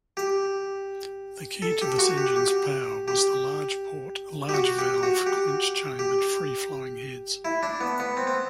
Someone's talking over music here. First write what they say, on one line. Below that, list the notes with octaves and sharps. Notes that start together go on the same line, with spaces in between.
The key to this engine's power was the large-port, large-valve, quench-chambered, free-flowing heads.
G4
A4
G4
F#4
G4
G4
G4
G4
F#4
G4
F#4
G4
G4
E4
D4
B3
B3
C4
C4